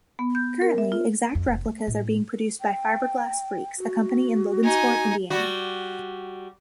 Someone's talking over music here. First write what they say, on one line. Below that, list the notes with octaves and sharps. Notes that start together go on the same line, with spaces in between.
Currently, exact replicas are being produced by Fiberglass Freaks, a company in Logansport, Indiana.
B3
G6
A#4
E5
F4
F2
F1
A3
A2
G5
F#4
D#4 G#5
G3 F#4